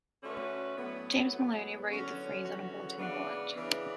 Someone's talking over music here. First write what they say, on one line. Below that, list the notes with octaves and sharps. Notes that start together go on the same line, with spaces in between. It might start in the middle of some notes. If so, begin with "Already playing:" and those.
James Maloney, wrote the phrase on a bulletin board.
D3 A3 C#4 F#4 B4
A2 F#3 B3
A2 F#3 B3
E2 D3 F#3 C#4 F#4
E2 D3 F#3 C#4 F#4
C#3 E3 B3 D4
C#3 E3 B3 D4